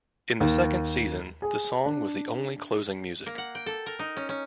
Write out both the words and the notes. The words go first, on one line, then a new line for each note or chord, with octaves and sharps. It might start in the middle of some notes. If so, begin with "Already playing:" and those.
In the second season the song was the only closing music.
D#2
G#4
D4
A#3
F#5
G5
A4
A#4
D#4
C#4
C#4